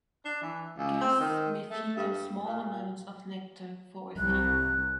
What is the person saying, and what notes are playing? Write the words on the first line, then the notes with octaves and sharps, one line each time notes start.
Guests may feed them small amounts of nectar for a fee.
D4
E3
C#2
C4
D#3
A3
G2
A#2
C2 F#6